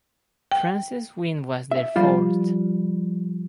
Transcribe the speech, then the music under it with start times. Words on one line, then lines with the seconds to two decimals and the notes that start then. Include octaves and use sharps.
France's win was their fourth.
0.52 G5
1.71 E5
1.96 F3 G3 F4